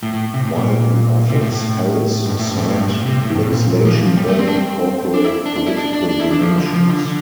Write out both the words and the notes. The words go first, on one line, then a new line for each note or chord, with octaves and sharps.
While in office, Harris signed legislation banning corporate political donations.
A2
A2
C3
A2
A#2
C3
A2
A2
G2
A2
G2
A2
A2
G2
A2
A#2
C3
A2
G2
A2
A#2
A#2
F3
E3
F3
G3
A3
C4
D4
C4
D4
E4
D4
D4
E4
D4
D4
D4
E4
D4
F3
D3
F3
D3
D3